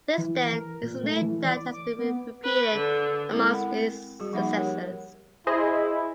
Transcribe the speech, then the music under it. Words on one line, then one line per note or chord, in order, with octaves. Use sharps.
Since then, it’s a name that has been repeated amongst his successors.
E3
A#4
A#2
A3
E3
D5
D6
B3
B4
D3
G#3 C4 E4 A4
A#4 F#5 B5
C4
G3 F#4 G#4
F3 A#3 D#4 E5 F#5 B5
G4 A#4 C#5 F#5
E4 G#4 C5 D#5